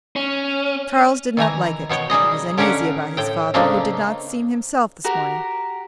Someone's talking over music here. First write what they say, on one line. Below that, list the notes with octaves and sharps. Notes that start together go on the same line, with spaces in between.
Charles did not like it; he was uneasy about his father, who did not seem himself this morning.
C#4
D#3 E3 G#5 A#5
B2 B3 C#5 G5
G3 D#4 G#4 D#5
D3 C#4 G4 A#4 F5 F#5
A2 G5
C#3 A3 A#3 C4 D4 D#4
F#4 G4 A#4 F#5